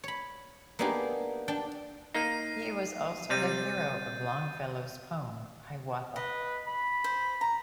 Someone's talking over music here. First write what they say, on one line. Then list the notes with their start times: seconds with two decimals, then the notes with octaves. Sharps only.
He was also the hero of Longfellow's poem, 'Hiawatha'.
0.04 C#5 B5
0.79 A#3 B3 D4 D#4 G4 G#4
1.48 D4 G5 A5
2.15 A#3 D#4 C7 D#7
3.30 C3 G3 G6 A6 D#7
6.16 B4 D#5
6.67 B5
7.04 C5
7.41 A#5